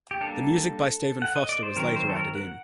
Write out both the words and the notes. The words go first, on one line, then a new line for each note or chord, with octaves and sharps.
The music by Stephen Foster was later added in.
G4
G3 A#3 D4 A4
F#5
D#5
D5
C5
D#3 F#3 C4 A#4
C5
A4
A#4
F#5